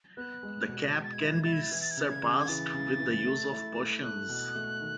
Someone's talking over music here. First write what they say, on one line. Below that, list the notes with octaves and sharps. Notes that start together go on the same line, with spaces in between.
The cap can be surpassed with the use of potions.
B3 F#6
G#3
B2
G#3 G#6
A6
G#6
E4 A6
G#6
E4 A6
G#6
A6
E3 G#6
A6
G#6
C#3 A6
G#6
C#3
G#6
E3 A6
C#3
E3
A3
E4
A3
A3 F#6
B2
A3
D#3